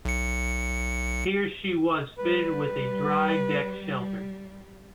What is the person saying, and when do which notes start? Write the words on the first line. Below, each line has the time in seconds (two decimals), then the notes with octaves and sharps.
Here she was fitted with a Dry Deck Shelter.
0.05 B1 C#7
2.19 G3 B4